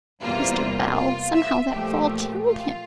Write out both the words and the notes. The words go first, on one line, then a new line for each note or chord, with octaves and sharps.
Mr. Bell, somehow that fall killed him!'
E2 C3 G3 A#3 F4
F4
E5
A#2 F3 A3 G4
F4